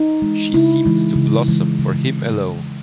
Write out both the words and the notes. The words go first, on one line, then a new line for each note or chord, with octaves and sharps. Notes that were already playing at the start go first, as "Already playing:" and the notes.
She seemed to blossom for him alone.
Already playing: D#4
E3 G#3
C#3 E4
E3 G#3
C#3
E3 G#3
C#3